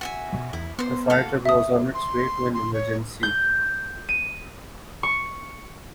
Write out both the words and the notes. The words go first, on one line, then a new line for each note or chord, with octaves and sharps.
The fire truck was on its way to an emergency.
F#4 E5 G#5
B2
E2 E4
B3 C5 C6
A4 F5 F#5
E5 D#6
C6
C6
C#5
G6
D#7
C#6